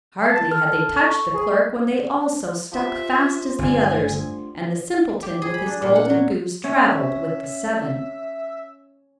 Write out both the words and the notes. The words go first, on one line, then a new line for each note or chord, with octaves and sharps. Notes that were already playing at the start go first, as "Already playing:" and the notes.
Hardly had they touched the clerk when they also stuck fast as the others, and the simpleton with his golden goose travelled with the seven.
A5
A4 F6
C#6
G#4
F3 G4 E5
G1 D2 G#5
G4
G#4
B5
D4
A#2
F#5
F#3
C#4 E5